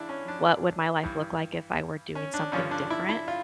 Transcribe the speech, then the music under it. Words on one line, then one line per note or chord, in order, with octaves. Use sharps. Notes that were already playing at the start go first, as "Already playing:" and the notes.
what would my life look like if I were doing something different,
Already playing: C#2 C#3 E3 D4 E4
C#4
D4
G2 E3
C#4
D4
G2 D3 F3 C#4
D4
E4
E4
F4